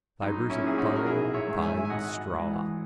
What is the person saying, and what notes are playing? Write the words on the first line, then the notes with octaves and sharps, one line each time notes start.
Fibres of fine fine straw.
B1 D#4
C#4 E4
A#2 G#4
D#4 F#4
A#4
A#1 E4 G#4
C#5 E5
G#2 D#3
E5 G#5
G#5
G#1 D#5 F#5
G#2 E3